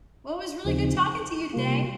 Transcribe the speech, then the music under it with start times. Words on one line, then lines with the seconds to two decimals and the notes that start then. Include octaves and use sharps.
Well, it was really good talking to you today.
0.65 D#2 C#3 F3 C4 D#4
1.53 C3 G3 A#3 F4